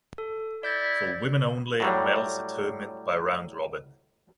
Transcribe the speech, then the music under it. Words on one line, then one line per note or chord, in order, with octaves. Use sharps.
For women only and medals determined by round robin.
A4
E4 D5 G6 A6
A2 F#3 G3